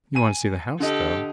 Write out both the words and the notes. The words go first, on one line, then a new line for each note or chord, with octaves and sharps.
"You want to see the house, though?"
G#5 D#7
D3 G4 A4 D#5